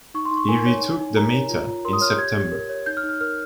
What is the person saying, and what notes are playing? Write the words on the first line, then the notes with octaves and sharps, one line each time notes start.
He retook Damietta in September.
D#4 C#6
C6
D#4
C#6
A#4 G#5
C#5
D#4
D#4
A#4 A#5
C#5
F4
F4
A#4 C6
D#6
C#5 F6
G6
G4 G#6
G4
A#4
C#5
D#4 G6
F6
D#4
F6
A#4 F6